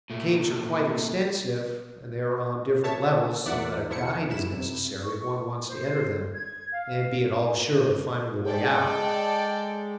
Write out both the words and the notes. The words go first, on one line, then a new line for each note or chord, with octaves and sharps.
The caves are quite extensive and they are on different levels, so that a guide is necessary if one wants to enter them and be at all sure of finding the way out.
A#2 A3
C#5 E5 A5
E2 A3 D5 E5 F#5
F3 E4 C#7
F#2 E4 E7
C3
C#6
C5
G#6
F5
G#3 A4 D5 G5